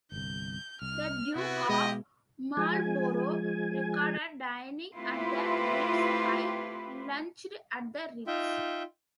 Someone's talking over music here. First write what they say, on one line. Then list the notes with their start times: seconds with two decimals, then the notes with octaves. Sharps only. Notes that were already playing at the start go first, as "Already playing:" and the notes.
The Duke of Marlborough recorded dining at the Ritz; I lunched at the Ritz.
0.12 G1 C2 G6
0.82 C2 F6
1.35 C3 B3 E4 F#4
1.69 B2 G#3 G4 D#5
2.57 F3 G#3 G#5
4.95 A3 C4 E4 F4 G4 B4
8.27 D#4 F4 E5 G5